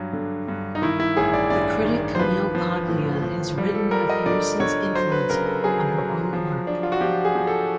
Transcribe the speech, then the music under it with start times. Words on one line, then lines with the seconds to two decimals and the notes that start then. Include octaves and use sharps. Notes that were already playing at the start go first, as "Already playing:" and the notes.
The critic Camille Paglia has written of Harrison's influence on her own work.
Already playing: G2 F#3
0.13 D3
0.48 G2
0.75 D#4
0.82 D#3 E4
1.00 E4
1.17 A1 G#4
1.34 D5
1.50 G2 D5
1.85 D#3
2.15 C5
2.19 F3 B4
2.55 F3
2.88 A2
3.23 F3
3.58 G3
3.75 A4
3.91 G3 A#4
4.10 D#5
4.26 D3 D5
4.60 D3 C#5
4.95 F#3 C5
5.12 B4
5.30 C#3 A#4
5.46 A4
5.64 F#3 G#4
5.98 F#3
6.33 F3
6.67 D4
6.83 F4
6.92 F#4
7.01 F3 G4
7.25 G#4
7.35 F3
7.47 A4